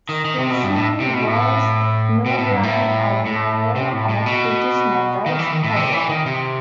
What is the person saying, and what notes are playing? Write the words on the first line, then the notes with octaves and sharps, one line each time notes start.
Sisson was no blind admirer of British methods, however.
D#3
D#3
C3
B2
G2
A2
C3
B2
A2
B2
A2
G2
A2
A2
C3
A2
A2
B2
D#3
E3
D#3
A2
C3
E3
D#3
C3